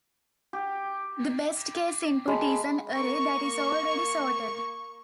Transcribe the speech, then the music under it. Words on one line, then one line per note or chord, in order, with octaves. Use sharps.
The best case input is an array that is already sorted.
G4
G#3 A5 B5
A#3 C#6